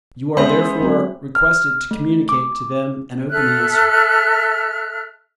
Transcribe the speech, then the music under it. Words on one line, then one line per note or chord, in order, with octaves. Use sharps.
You are therefore requested to communicate to them an open answer.
G#3 B3 C#4 C5 E5 B5
F#3 C4 F#4
F6
A3
D6
A4 E5 F6 F#6